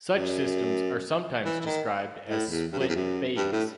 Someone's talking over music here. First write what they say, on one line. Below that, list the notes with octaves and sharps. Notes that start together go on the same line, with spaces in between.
Such systems are sometimes described as split-phase.
F#2
E3
E3
D#3
A2
E2
G2
F#2
E2
F#2
G2
A2